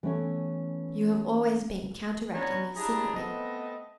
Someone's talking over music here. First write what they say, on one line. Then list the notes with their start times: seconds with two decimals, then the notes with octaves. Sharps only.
You have always been counteracting me secretly.
0.03 E3 A3 B3 C#4 C#5 G#5
2.34 B3 C#4 D4 C#5 A#5
2.77 D4 E4 G4 G#4 A5 A#5
3.14 A3 B3 C4 D#5